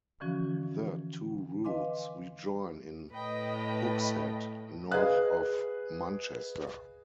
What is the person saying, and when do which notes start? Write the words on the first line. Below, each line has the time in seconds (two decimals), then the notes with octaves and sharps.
The two routes rejoin in Hooksett, north of Manchester.
0.20 D3 E3 F3 C#4 F#4
1.64 B4 D#5 F5 G#5 C6 D6
3.13 A2 B4 D#5 G5
4.91 G#4 B4 D#5 F5 F#6